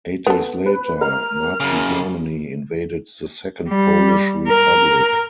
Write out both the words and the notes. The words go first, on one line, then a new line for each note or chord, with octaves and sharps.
Eight days later, Nazi Germany invaded the Second Polish Republic.
B3 A4
B4
A#4 F6
F#2 C#3
G3
A#4